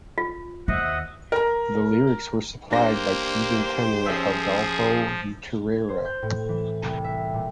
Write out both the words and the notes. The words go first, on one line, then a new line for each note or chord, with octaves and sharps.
The lyrics were supplied by Cuban tenor Adolfo Utrera.
F4
D#2 C5 D#5 E5 F#5
A#4 A#5
A#3 D4 G4 C5 A#6
F3 C#4 G#4 E5
G#6
C5
G6
A2
E3
C2
E5
A#2